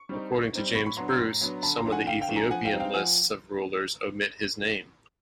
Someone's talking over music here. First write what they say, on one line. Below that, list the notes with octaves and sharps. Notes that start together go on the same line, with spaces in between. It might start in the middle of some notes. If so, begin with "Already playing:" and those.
According to James Bruce, some of the Ethiopian lists of rulers omit his name.
Already playing: C#6
G3 C4 D#4
A#2
G3 C4 D#4
A2 B5 C#6
B5 C#6
F#3 B3 D4 A#5 C6
A#5 C6
A2
F#3 B3 D4
D3 A5 B5
A#5 C6
F3 A3 D4
F#5 G#5
D3 F5 G5
F5 G5
F3 A3 D4
G#5 A#5
F3 F#5 G#5
F5 G5
G#3 C4 D#4
F5 G5
F3 F#5 G#5